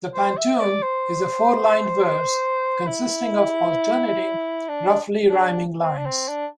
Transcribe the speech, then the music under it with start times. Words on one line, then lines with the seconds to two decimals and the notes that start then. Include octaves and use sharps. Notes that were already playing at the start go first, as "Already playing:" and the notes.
The pantun is a four-lined verse consisting of alternating, roughly rhyming lines.
0.15 C5
0.37 E5
0.60 D5
0.83 C5
2.87 E4
4.68 D4
5.30 D4
5.82 C4
5.97 D4
6.06 C4
6.28 D4